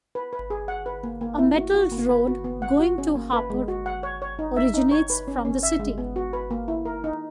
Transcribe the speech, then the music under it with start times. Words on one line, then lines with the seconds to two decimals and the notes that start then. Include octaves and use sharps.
A metalled road, going to Hapur, originates from the city.
0.15 B4
0.33 B4
0.50 G#4
0.68 F#5
0.86 B4
1.03 A#3
1.21 A#3
1.38 E4
1.57 F#4
1.74 F#4
1.91 A#3
2.09 B4
2.27 F#4
2.44 B3
2.62 F#5
2.79 F#4
2.98 C#4
3.15 A#3
3.33 B4
3.50 G#3
3.68 F#4
3.86 F#5
4.03 C#5
4.22 C#5
4.39 D#4
4.56 E5
4.74 D#4
4.91 C#5
5.10 B4
5.28 C#4
5.45 C#4
5.63 E5
5.79 G#3
5.98 B3
6.16 F#4
6.33 B4
6.51 A#3
6.68 E4
6.85 A#4
7.04 D#4